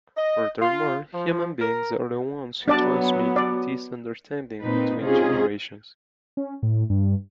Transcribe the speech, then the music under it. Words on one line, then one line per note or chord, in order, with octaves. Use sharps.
Furthermore, human beings are the ones who transmit this understanding between generations.
D#5
F4
F3
A#4
F#3 B3 D4 D5 A5
D5
A#2 C4 D#4 B4
C3 C#4 D#4 F4 G#4
C#4
A2
G2